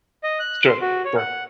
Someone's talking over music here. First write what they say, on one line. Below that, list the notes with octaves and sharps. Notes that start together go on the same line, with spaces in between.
It's true, sure.
D#5
F#6
C6
F#4
C#5
F#5